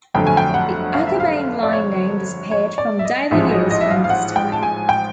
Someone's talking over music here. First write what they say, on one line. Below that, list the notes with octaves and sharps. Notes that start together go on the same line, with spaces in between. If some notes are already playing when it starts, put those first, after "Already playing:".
The Akabane Line name disappeared from daily use from this time.
G1 F2 D3 F#3 A3 G5
G#5
G5
F#5
F5
E5
F5
D5
C#5
C#5
D5
E5
D#5
A1 G#2 F3 G#3 E5
D#5
D#5
E5
F5
F5
F#5
G5
A5
G#5
G5